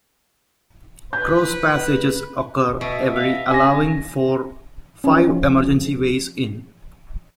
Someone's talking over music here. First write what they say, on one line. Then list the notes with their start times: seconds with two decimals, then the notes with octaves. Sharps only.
Cross-passages occur every allowing for five emergency ways in.
1.13 B4 G6
2.81 B2 E5
3.17 D#5 F5
3.51 C#4 G#5 A#6
5.04 F3 C#4